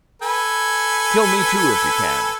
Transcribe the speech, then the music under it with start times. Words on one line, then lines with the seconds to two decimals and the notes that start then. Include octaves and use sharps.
Kill me too, if you can.
0.22 A4 B4 G#5